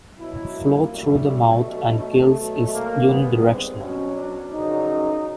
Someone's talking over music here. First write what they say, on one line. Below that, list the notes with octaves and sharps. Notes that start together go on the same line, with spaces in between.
Flow through the mouth and gills is unidirectional.
B2 F#3 E4
A#3
F#2 D3 G3 A3
B2 F#3
A3
B2 F#3
A#3
G2 D#3 G#3 B3
C4
B2 F#3 C#4
D4
F#2 C#3 F3 D#4